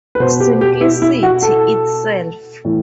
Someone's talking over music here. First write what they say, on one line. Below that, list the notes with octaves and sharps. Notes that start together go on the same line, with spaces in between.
Simplicity itself.
B4
B2 C5
G4
G4
E4
E4
F#4
A4
A2 E3